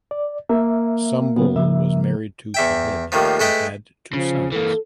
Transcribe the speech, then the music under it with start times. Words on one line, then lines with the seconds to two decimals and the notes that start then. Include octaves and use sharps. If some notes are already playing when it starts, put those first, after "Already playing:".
Sumbul was married to Shahid and had two sons.
0.11 D5
0.49 A#3 E5
1.36 C#3 F#3 B3
1.56 C#3 F3 E5
2.54 E2 E5 G5
3.12 D#2 A2 D#3 F3
3.40 G#3 A3 A4 B4 D#5 G5
4.13 C#3 F3
4.52 E3 A#3 A4